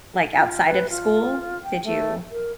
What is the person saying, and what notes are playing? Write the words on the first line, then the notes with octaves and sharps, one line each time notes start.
like, outside of school? Did you
F4
B4
F4
G5
A3
A#4